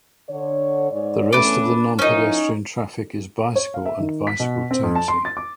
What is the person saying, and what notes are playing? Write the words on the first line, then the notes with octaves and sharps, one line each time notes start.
The rest of the non-pedestrian traffic is bicycle and bicycle taxi.
D3 C#5
G#2 C#5 D5
E2 A3 C#4 D4 B4
F3 C#4 D#4 E4 A#4
C#5
F5
E5
D#3
B6
B2
C4
F2
A5
C6
A6
D6